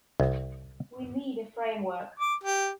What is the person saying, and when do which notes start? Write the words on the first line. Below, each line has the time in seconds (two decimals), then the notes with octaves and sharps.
We need a framework.
0.20 C2
2.20 D6
2.44 G4